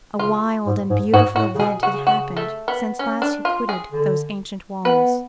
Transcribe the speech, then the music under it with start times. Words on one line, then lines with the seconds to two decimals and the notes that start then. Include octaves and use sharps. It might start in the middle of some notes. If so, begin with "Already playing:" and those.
A wild and beautiful event had happened since last he quitted those ancient walls.
0.19 C#3 F4
0.66 G#2
0.90 G#2
1.13 G#2 F#4
1.36 A2 F#4
1.55 C#3
1.59 B2 G#4
1.83 C#3 F#4
2.07 F#4
2.37 A3
2.68 B3
2.99 C#4
3.22 D4
3.45 F4
3.69 G#4
3.92 D3
4.85 B3 B4